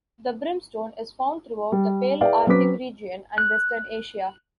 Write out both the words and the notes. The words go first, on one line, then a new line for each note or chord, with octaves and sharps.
The brimstone is found throughout the Palearctic region and Western Asia.
G3
E4 G#4 B4 D5 F5 G5
F#3 C4 C#4 B4 D6 B6
F#6